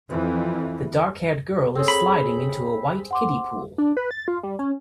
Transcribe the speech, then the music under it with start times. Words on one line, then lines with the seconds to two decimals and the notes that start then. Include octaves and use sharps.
The darkhaired girl is sliding into a white kiddie pool.
0.10 F2 E3
1.75 C4 G#4 A4 C#5
1.88 B5
3.11 F#5 C6 D6
3.78 D4
3.97 B4
4.11 A6
4.28 F4
4.43 G3
4.59 C#4